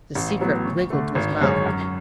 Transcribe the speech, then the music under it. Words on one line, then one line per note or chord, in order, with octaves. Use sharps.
The secret wriggled to his mouth.
A1
A2 F#3 B3
D2
D3 A3
G#1
F#2 D3 G#3 C#4
F#2